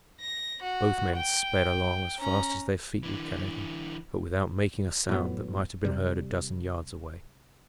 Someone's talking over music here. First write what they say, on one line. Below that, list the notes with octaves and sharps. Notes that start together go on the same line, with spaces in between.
Both men sped along as fast as their feet would carry them, but without making a sound that might have been heard a dozen yards away.
A#6
F#4
G5
C#4 A#5
D3 E3
A2 F#3 B3
C3 G3